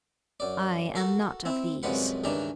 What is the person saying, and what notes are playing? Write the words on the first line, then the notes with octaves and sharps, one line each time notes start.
I am not of these.
F#2 D5
F#4 A4 A#4
C4 E4
C2 F#2 F3 G#3 B4 F#5
C#2 G2 D#3 E3 D4 A#5